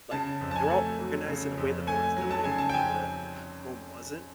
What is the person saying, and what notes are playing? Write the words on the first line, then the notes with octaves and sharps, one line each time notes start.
like they were all organized in a way that the rest of the the h home wasn't,
C#3 A5
F2
A5
G#5
A3
F#3
C#3
F2
A3 G#5
F#3
A5
C#3 G#5
A5
G5
F2 G#5